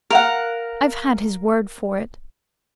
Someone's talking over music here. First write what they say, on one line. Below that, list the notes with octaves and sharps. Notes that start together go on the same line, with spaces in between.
I've had his word for it.
A#4 F5 F#5